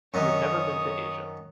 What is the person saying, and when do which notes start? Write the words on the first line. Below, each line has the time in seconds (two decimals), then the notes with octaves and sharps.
We have never been to Asia.
0.14 F#2 D#3 C#5 D#6